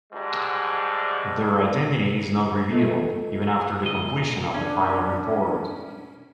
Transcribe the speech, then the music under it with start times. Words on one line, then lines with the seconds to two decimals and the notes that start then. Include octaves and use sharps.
Their identity is not revealed, even after the completion of the final report.
0.13 D2 G#2 G3 G#3
2.70 A3 F4 A4 D#5
3.83 D2 A#2 D#5
4.54 C#4 D4